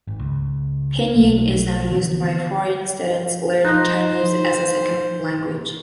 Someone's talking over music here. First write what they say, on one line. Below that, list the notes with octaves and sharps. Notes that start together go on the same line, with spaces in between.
Pinyin is now used by foreign students learning Chinese as a second language.
G#1
C#2
B1
D3 E3 F3 B3
D#4 C5 F#6 A#6